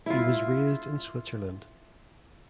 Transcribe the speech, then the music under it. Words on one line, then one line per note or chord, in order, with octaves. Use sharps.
He was raised in Switzerland.
E4 F4